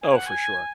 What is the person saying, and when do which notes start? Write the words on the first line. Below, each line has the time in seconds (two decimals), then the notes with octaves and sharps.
Oh, for sure.
0.02 G#5
0.13 F#5
0.26 G#5